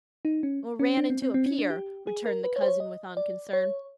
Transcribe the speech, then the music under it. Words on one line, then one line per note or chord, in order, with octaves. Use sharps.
"Ran into a pier," returned the cousin, with unconcern.
D#4
C#4
C#4
D4
C4
C4
C4
C#4
D4
G4
G#4
A#4
B4
C#5
C5
C#5
D#5
D5
C#5